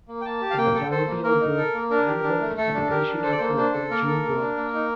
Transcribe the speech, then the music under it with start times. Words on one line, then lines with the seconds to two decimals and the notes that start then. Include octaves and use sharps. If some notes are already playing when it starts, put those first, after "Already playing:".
A majority of the annual precipitation occurs from June to August.
0.08 A#3
0.21 G5
0.25 A#3 A5
0.41 G4
0.50 F5
0.57 A#3 G5
0.74 A4
0.91 A4 C5
1.07 A#3
1.24 A#3 A#4
1.41 D#4
1.57 A4
1.74 A#3
1.90 D4 A#4
2.07 G4
2.23 D4
2.41 A3
2.57 A3 A4
2.74 D4
2.90 G4 A#4
3.08 D4
3.23 A4 C5
3.32 D5
3.38 A#3 C5
3.57 D4 C5
3.73 A4
3.90 A#3 A#4
4.07 A4
4.23 A#3
4.40 D4
4.56 A#3
4.74 D#4